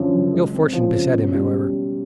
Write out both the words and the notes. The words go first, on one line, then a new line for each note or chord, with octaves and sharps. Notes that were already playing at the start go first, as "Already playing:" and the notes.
Ill fortune beset him, however.
Already playing: F#2 D3 F3
F#1
G#3
C4
F3
C#3
B2
G3